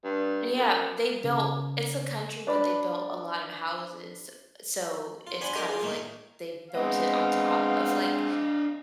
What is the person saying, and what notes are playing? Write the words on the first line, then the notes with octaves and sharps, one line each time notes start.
Yeah. They built it's a country, but they built a lot of houses. So it's kind of, like, they built it on top of, like,
G2
F#2
C#3
D4 B4 D5 B5
F4
D4 F#5 G#5 B5 C6
D4 G4 A#4 C#5 D#5
F4 G#4
A2 A3 A#3 D#4
G#3 B3 C4 D4 D#5 F5